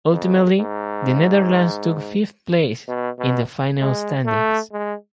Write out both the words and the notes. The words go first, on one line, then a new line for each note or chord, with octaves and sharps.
Ultimately, the Netherlands took fifth place in the final standings.
F2
G#2
B2
B2
G#3
A3
G#3